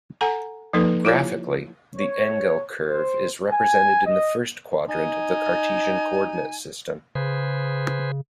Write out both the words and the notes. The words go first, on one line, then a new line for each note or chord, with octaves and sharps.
Graphically, the Engel curve is represented in the first-quadrant of the Cartesian coordinate system.
A4 F#5 G#5 A#5
F3 A#3 D#4 A4 B4
E4 F4 G4 C#5
C#5
C5
G#5
D#5
D#4 G#5
C#3 G#4 B4 C5